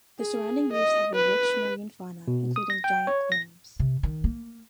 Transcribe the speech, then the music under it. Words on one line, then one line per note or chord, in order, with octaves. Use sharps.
The surrounding reefs have a rich marine fauna, including giant clams.
G#4
D#5
B4
B2
D#6
A#6
G5
C#5
A#6
C3
D#3
A#3